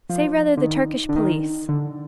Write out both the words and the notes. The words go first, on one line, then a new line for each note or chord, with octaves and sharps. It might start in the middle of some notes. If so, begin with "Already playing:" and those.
'Say rather the Turkish police.
F3
D3
D#3
D3
D#3
D3